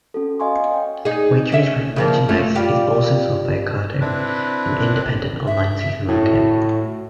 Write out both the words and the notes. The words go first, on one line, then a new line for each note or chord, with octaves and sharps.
Waitrose brand merchandise is also sold by Ocado, an independent online supermarket.
C#4 F#4 A4
D#5 F5 G#5 C6 C#6
C#5 G5
D#4 G#4
C#4 E5
C#3 F3 A#3
A3 F4
G3 F4 G4
C4 D4 E4 B4
E5
A2 F#4